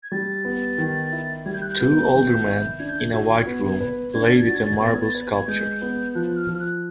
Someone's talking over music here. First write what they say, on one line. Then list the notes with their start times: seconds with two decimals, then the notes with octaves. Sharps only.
Two older men, in a white room, play with a marble sculpture.
0.03 G#6
0.12 G3 A6
0.45 B3
0.78 D#3
1.12 E4
1.46 G3 G#6
1.54 G6
1.62 F#6
1.71 G6
1.80 B3
2.12 D#3
2.46 E4
2.79 D4 G#6
2.89 G6
3.00 G#6
3.13 F#4
3.47 B3
3.80 B4
4.14 D4 G#6
4.24 A6
4.34 G#6
4.43 F#4 A6
4.54 G#6
4.64 A6
4.73 G#6
4.81 B3 A6
4.94 G#6
5.04 A6
5.14 B4 G#6
5.48 G#3 G6
5.82 B3
6.15 F3 F#6
6.37 F6
6.49 F3
6.54 F6
6.60 F#6